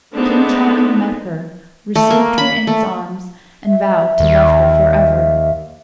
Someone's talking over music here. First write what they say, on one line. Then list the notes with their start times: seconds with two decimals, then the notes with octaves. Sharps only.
King Charming met her, received her in his arms, and vowed to love her for ever.
0.15 G#3 A3 B3 C4 D4 D#4
1.95 A3
2.10 A#3
2.38 B5
2.67 A3
3.66 E5
4.20 D#2